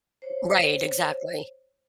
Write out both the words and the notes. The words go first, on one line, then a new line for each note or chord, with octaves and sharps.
Right, exactly.
C5 C#5